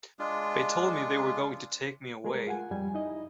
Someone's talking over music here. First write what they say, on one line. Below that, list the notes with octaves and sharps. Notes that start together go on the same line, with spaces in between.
They told me they were going to take me away.
G#3 D4 F4
G#3 A3 G#4 A#4
F4 F#5 G#5
F2 G3 G#5
D#4 E4 D#5